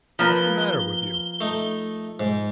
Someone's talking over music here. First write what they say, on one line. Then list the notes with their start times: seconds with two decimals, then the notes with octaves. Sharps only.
'What's the matter with you?'
0.19 F3 A#3 B4 G7
1.41 A3 D#4
2.20 G#2